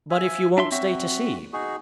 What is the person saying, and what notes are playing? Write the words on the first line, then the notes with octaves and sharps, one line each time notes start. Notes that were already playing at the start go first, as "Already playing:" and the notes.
"But if you won't stay to see!"
E5 G#5
D4 E5 C6
C4 F#4 E5
D#4 F#4 G#4